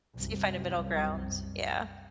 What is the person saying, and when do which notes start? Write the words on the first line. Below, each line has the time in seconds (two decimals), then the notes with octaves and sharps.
So you find a middle ground, yeah.
0.15 C2 F#2